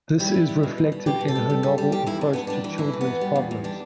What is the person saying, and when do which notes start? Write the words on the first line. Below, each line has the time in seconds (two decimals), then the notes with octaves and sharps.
This is reflected in her novel approach to children's problems.
0.19 G3 E4
0.34 G3
0.48 G3
0.63 B2
0.78 B2
0.92 G3
1.06 B2 G4
1.21 B2
1.28 A4
1.35 G3
1.50 G3
1.63 G3
1.78 G3
1.92 E2 G4
2.07 E2 E4
2.21 E2 D4
2.33 E2 B3
2.47 G3 D4
2.64 E3
2.78 E2 E4
2.93 E3
3.01 B3
3.07 E2
3.21 G3
3.36 E2
3.51 E2
3.64 G3 D4